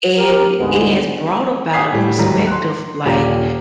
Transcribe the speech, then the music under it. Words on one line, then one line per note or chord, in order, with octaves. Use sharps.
And it has brought about a perspective like,
G4 A#4
D2 G#2 G#3 B3
F#5 G#5 D#6 G#6 B6 C7
A2 G3
D2 G#2 D#3 F#3 G3 A3
C6 F#6
D#1 A#2 G4 D5 A#5